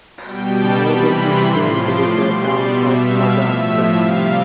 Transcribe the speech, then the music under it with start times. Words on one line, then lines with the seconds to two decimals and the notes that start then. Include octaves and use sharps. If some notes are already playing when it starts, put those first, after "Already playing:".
Moudon is twinned with the town of Mazan, France.
0.19 B2 G3 G5
0.51 A5
0.82 C3 E3 G3 B5
1.13 C6
1.44 A2 F3
1.75 D6
2.07 B2 G3 C6
2.38 D5
2.69 B2 G3 E5
3.00 F5
3.32 A2 F3 E5
3.94 C3 G3 F5